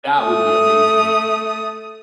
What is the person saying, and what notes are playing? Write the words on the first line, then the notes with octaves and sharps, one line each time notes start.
That would be amazing.
A3 D#6